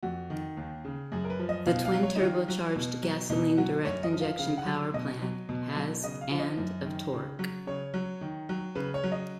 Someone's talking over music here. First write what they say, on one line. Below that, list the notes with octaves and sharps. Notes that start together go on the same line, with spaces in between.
The twin-turbocharged, gasoline direct injection power plant has and of torque.
F2 F#4
D#3
D#2
C#3
F#2 G#4
A#4
B4
F3
D#5
B2 F5
F5
F#3
C#5
D#4
D#3 F4
F#3
B2
F#3
B2 D#4
F#3 F#4
F#2 C#5
D#5
F3
F5
C#3 F5
F#5
F#3
B2 D#5
F#3
B2
F#3
C#3 D#5
F5
F3
D#5
F#2
D#3
C#3
F#3
C#3 C#5
F#3
D#3
F#3
C#3 B4
C#5
F#3
D#5